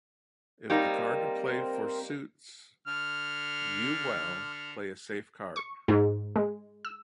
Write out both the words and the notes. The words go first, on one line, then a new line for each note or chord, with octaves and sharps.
If the card to play for suits You well, play a safe card.
G3 A#3 C4 D#4 A#4 C5
D3 F6
C#6
G#2
G#3
E6